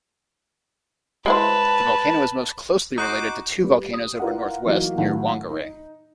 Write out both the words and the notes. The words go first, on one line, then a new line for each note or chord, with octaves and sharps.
The volcano is most closely related to two volcanoes over northwest, near Whangarei.
G#3 E4 B4 C5 A5
D#4 F#4 C5 D6
G3 B4
D#6
E4 F4 A#4 B4 D5 F#5
E3 F#3 A#3 D#4 F#4
A2 D#3 F#3 A3 F5 F#5
D#4